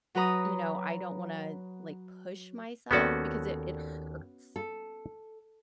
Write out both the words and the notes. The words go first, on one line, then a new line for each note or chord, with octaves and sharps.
you know, I don't wanna, like, push myself because it it hurts.
F#3 F#4 B4 A#5 D#6
D#2 B3 C#4 F#4 A4 D5
A4